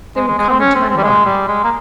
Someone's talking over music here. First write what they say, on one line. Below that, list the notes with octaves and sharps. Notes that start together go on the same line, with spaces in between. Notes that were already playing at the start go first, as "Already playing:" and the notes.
They would come into my mind.
G#3
G#3
G#3
C4
C#4
C4
C4
G3
G#3
G3
G#3
A#3